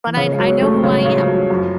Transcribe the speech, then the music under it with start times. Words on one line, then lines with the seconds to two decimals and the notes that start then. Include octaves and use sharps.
but I I know who I am,
0.07 E3
0.17 C#3 F3
0.34 G#3
0.40 F#3
0.61 A3
0.67 G3
0.84 C#3 F#3
1.06 C#3 F#3
1.17 F3
1.28 F#3
1.50 F#2 F3